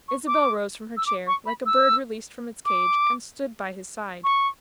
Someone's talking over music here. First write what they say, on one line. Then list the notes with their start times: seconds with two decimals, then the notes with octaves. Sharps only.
Isabel rose from her chair, like a bird released from its cage, and stood by his side.
0.08 C#6
0.27 D6
0.97 E6
1.06 D6
1.27 C#6
1.46 B5
1.66 E6
2.65 D6
4.24 C#6